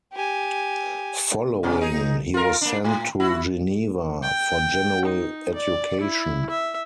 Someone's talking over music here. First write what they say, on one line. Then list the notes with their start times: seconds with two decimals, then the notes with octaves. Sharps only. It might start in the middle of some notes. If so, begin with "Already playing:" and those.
Following, he was sent to Geneva for general education.
0.12 G4 G#5
1.63 B2 C#4
1.81 D#4 G#4
2.34 F4 A#4
2.61 A#3 D4
2.85 A2
3.20 E4 F#4
4.23 G5
5.05 D#4
5.54 D5
6.01 E4
6.50 E5